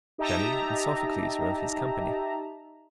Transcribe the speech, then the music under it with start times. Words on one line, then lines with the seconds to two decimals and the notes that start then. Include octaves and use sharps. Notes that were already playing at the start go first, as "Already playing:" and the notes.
Shelley and Sophocles are of his company.
0.18 D#4 G4 D#5 E5 A5 A#5